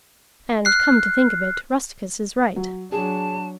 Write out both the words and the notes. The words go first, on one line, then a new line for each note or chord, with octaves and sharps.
And come to think of it Rusticus is right.
F6 F#6 C7
F#3
F#3 D4 G#4 A5